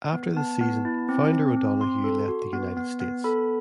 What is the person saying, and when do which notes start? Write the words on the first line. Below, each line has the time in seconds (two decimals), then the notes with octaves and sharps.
After the season founder O'Donoghue left the United States.
0.13 B3
0.37 B3 A5
0.61 B3
0.85 E4
1.09 C4
1.33 C4
1.57 C4
1.81 C4 C6
2.04 A4
2.28 F#4
2.53 B3
2.77 B3
3.00 B3
3.24 A4 B5